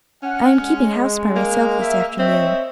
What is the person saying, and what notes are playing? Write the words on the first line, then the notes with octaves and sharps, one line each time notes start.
I am keeping house by myself this afternoon.
C#4 F#5
G#3
A#3
E5
C4 C#5 D#5 E5